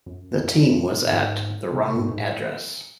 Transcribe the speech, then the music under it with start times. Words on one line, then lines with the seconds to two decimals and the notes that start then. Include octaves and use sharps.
The team was at the wrong address.
0.06 F#2
0.40 F#2
0.73 F#2
1.07 G#2
1.73 C3
1.96 G#2
2.11 G#2
2.18 A2